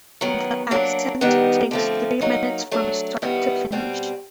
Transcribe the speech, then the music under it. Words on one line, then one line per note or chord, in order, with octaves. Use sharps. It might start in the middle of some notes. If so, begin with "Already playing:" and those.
The ascent takes three minutes from start to finish.
D#3 F#3 B3
F#3 A#3 D4
D#3 G3 B3 D#4
D3 F3 A3 C4
F#3 A#3 D#4
F#3 A3 D4
D#3 G3 B3 E4
B2 G3 C4